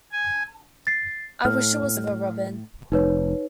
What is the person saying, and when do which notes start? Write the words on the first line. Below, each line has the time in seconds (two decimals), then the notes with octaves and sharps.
I wish it was all over, Robin.
0.12 G#5
0.87 A6 C7
1.45 A2 F6
2.92 F1 D#4 B4 C#5